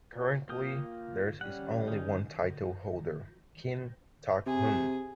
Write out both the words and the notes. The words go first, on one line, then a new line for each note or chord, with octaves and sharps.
Currently there is only one title holder, Kim Tok-hun.
A#2
A#3 F4 G5 D#6
G3 C#4 F#5
C#4 D#4
C3 G#4